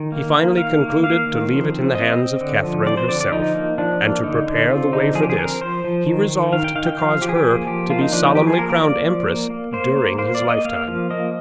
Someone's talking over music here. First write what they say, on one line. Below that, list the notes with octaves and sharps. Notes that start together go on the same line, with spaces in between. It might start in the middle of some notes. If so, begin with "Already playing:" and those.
He finally concluded to leave it in the hands of Catharine herself, and, to prepare the way for this, he resolved to cause her to be solemnly crowned empress during his lifetime.
Already playing: D#3
A#3
A#3
D#3 F5
A#3
A#3 F5
D#3
F3
C4
C4 D#5
C4
D3
F3
C4 D5
C5
D3 D5
D5
F3 D#4
A#3
F3 D4
A#3
D3 D#4
D3
C4 F4
D3 D#4
F3 G#4
G4
G#4
C4 A#4
F3 C5
F3
D#3
D#3
D#3 F5
G5
D#3 F5
G5
F3 F5
F3 G4
G#4
G4
A#3 G#4
F3 G4
A#3 F4
D#4
F3 D4
D#4
F3 G4
G#4
A#3 A#4
A#4
A#3 D5
F3
A#3
A#3
A#3 C5
A#3
A#3 C5
D5
A#3
D#5
A#3 F5
F3
A#3 D#5